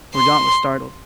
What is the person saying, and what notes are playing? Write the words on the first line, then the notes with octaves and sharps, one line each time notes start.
Mordaunt was startled.
C6